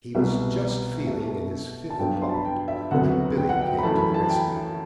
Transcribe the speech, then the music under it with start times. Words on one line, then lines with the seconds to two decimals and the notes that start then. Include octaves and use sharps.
He was just feeling in his fifth pocket when Billy came to the rescue.
0.15 C2 B2 G3 B3 E5
1.06 B2 A3 E5
1.90 A5
1.99 G2 F#3 B3 G5
2.22 C6
2.29 A5
2.34 B5
2.45 G5
2.68 E5
2.91 D2 C3 F#3 B3 F#5
3.37 G5
3.49 F#5
3.61 G5
3.78 B5
3.83 F#2 E3 A3 A5
3.98 B5
4.14 A5
4.29 G5